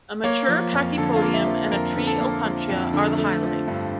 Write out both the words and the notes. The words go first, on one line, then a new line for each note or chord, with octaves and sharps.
A mature Pachypodium and a tree Opuntia are the highlights.
A#3 C#5
F3
F2
D3 A4
F4
A#3
E5
F3
F2 A#4
D3
A4
A#3
F3
F2
D3
A3
F3
G2